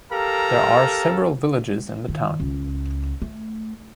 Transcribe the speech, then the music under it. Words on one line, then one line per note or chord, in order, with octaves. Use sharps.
There are several villages in the town.
G4 A4 A#4 F5 A#5
D#3
C#2
A3